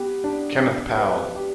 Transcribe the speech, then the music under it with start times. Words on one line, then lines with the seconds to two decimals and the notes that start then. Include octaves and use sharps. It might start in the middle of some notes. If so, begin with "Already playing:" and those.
Kenneth Powell.
Already playing: B3 G4
0.24 D4
0.61 B3
0.98 B4
1.35 G4